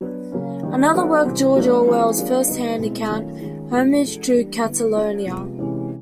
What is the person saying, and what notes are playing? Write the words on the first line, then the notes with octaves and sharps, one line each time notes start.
Another work George Orwell's first-hand account, "Homage to Catalonia".
F#3 B3 D4
C#3 F#3 A#3 C#4
D#3 G3 A#3 D4
F#3 B3 D4 F#4 A4
C3 E3 G3 C4
F#3 A3 D4 F4
E3 G#3 C4 F4 G#4
F#3 A#3 D4 F4 G#4
D3 G3 B3 D#4
B2 G#3 C4 E4
D#3 F#3 A3 C#4 F4
D#3 G#3 C#4 F4 G#4
A#2 F3 G#3 C#4 F#4
E3 G#3 C#4 F#4 A4
E3 G3 A#3 D4 G4
D3 G3 B3 E4
G#3 C#4 F4 G#4
C3 F3 G#3 B3
C3 E3 G#3 C#4 E4